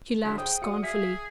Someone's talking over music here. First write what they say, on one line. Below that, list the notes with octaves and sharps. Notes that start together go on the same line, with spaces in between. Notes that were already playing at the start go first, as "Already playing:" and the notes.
She laughed scornfully.
F#2 D3 F#3 E4
G#4 C5 G5 D#6
F#4 D5 F5 D#6 C#7
G#4 E5 B6